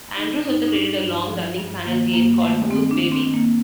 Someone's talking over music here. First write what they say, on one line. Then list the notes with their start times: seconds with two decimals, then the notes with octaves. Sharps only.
Andrews also created a long-running panel game called Whose Baby?
0.17 D3 D#4
0.45 G2 D#4
0.63 D#4
0.73 G2 D4
1.01 G2
1.30 F3
1.58 G2
1.85 D#3 A#3
2.13 G2 A#3
2.42 D#3 A3
2.70 D#3 C4
2.91 D4
2.98 D#3
3.12 C4
3.26 D#3
3.34 A#3